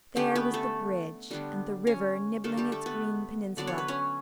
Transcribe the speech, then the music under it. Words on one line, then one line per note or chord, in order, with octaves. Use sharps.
There was the bridge, and the river nibbling its green peninsula.
D3 A3 C#4 G4 G5
B3 B4
A3 A4
D3 G3 B3 D4
C#4 C#5
D3 G3 A3 D4 A4
G3 G4
A3 A4
B3 B4
D3 F#3 B3 D4 D5
C#5
B4
C#4 C#5